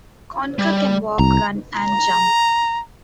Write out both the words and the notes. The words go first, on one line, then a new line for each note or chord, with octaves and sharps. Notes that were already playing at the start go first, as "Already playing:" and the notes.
Conker can walk, run, and jump.
G3
C2 A#5
A#5